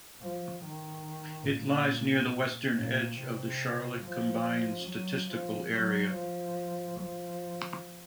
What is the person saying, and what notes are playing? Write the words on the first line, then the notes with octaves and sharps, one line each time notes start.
It lies near the western edge of the Charlotte combined statistical area.
F3
D#3
A#2
A#2
C3
F3
F#3
F3
F#3
F3
F3